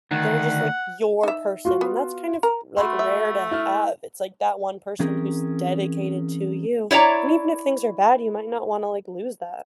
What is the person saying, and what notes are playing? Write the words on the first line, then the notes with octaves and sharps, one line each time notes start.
they're just, like, your person, and that's kind of, like, rare to have, it's like that one person who's dedicated to you, and even if things are bad, you might not wanna, like, lose that.
D2 D#3 F#5
D#4 E5
F4 F#4
B3
A#4
A3 F#4 B5 C6
E5
E4 F6
E3 C4 C#4 G#4 A#4
E4 C#5 D5 A#5